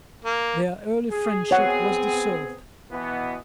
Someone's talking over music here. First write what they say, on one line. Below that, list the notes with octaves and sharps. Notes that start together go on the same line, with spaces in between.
Their early friendship was dissolved.
A#3
G#4
B3 C4 G#4 C#5 F#5
B2 E3 B3